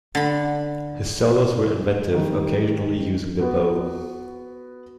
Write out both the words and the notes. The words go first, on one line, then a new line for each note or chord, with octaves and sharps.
His solos were inventive, occasionally using the bow.
D3 B5
D#3 G3
B3 F#4 B4